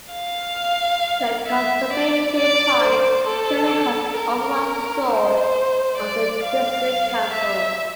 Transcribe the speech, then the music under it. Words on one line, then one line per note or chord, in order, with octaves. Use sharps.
The Conservative Party currently have overall control of the district council.
F5
E5
D5
D5
C5
A4
A#4
C5
D5
F5
E5